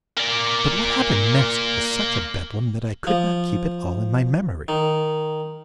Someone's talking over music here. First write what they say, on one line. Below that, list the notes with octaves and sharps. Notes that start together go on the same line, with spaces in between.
But what happened next was such a Bedlam that I could not keep it all in my memory.
A#3 D5
F3
D#3